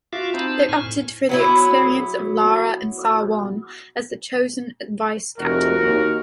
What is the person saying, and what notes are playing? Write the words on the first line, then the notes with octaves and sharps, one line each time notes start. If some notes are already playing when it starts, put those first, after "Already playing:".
They opted for the experience of Lara and Sarwan was chosen as vice captain.
F4 F#4 E5 F5 D6
C4 D#4 C5 A5 B5
A2 G#5 C#6 F6
F#3 B3 E4
F1 F#4 A#4
D#2